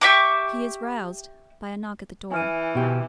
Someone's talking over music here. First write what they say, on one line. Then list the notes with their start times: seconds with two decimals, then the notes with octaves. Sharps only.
He is roused by a knock at the door.
0.01 G4 E5 C#6 D6
2.31 E3 G#5 F6 D#7
2.75 B2 G4